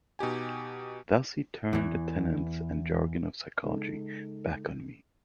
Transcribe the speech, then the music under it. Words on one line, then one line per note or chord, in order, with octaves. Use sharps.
Thus he turned the tenets and jargon of psychology back on me.
B2 D#4 G4 G#5
E2 E3
C#3 G#3 D#4 A4